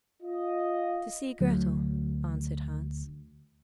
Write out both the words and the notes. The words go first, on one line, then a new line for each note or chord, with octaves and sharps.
'To see Grettel,' answered Hans.
F4 D#5
D2 F#3